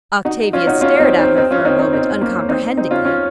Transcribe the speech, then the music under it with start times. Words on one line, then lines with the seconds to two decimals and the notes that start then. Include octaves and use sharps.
Octavia stared at her for a moment uncomprehendingly.
0.25 D#4 F#4
0.53 C#4 F4
0.67 D#4 F#4
0.81 C#4 F4
1.00 C4 D#4
1.19 C4 D#4
1.37 C4 D#4
1.51 C#4 F4
1.65 C4 D#4
1.79 C4 D#4
1.93 C4 D#4
2.21 A#3 C#4
2.49 C4 D#4
2.77 C4 D#4
2.91 C#4 F4
3.05 C#4 F4